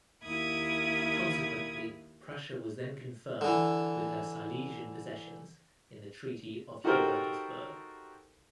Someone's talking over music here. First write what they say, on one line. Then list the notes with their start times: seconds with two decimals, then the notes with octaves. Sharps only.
Consequently, Prussia was then confirmed with her Silesian possessions in the Treaty of Hubertusburg.
0.23 D#2 E4 A#4 B5 D#6 G#6
3.41 D3 E3
6.84 D#4 F#4 G4 A4 A#4 C5